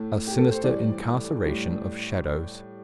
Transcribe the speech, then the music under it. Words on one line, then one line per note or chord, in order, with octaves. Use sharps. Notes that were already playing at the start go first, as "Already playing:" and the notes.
A sinister incarceration of shadows.
Already playing: A2 A3
G4
A4
C5
A2 E3 G3 D5
A2 G3